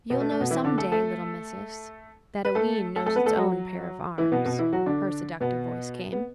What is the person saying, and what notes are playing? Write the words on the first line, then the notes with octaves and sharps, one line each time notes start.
"You'll know some day, little missis, that a wean knows its own pair of arms," her seductive voice came.
B2 B3
A3
A3
B2 B3
E3 E4
D3 D4
A3 A4
A3 A4
B4
A3 A4
A3 A4
A3 A4
B3 B4
A3 A4
F#3 F#4
E3 E4
B2 B3
B2 B3
E3 E4
F#3 F#4
D3 D4
B2 B3
B3